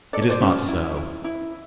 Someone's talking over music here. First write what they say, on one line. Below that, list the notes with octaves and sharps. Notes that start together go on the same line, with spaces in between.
It is not so.
A4 D5
C#5
C5 D5
C#4
E4
E4
E4